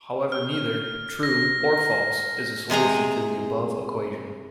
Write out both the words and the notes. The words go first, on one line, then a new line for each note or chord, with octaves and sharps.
However neither "true" or "false" is a solution to the above equation.
F6
A#6
C3 G#3 G#4 A#5